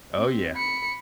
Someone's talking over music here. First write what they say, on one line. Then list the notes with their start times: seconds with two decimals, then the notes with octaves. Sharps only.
Oh, yeah
0.17 C4
0.55 B5 C#7